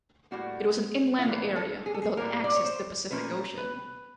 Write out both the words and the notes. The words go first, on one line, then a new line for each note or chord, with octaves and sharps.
It was an inland area, without access to the Pacific Ocean.
A2 E3 G3 A#3 F#4
E4
A2 E3 G3 A#3 F4
A4
G#4
A4
G#4
A2 E3 G3 A#3 A#4
D5
C#5
C5
A#2 F3 A3 C#4 B4
B4